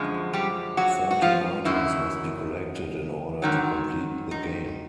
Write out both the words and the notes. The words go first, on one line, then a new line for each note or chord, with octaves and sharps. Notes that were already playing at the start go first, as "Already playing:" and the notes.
Forty items must be collected in order to complete the game.
Already playing: F#2 D3 F3 G#3
G3 G4
F#3 F#4
F#4
F3 F4
F#2 D#3 E4
G#2 D#3 F#3
D#4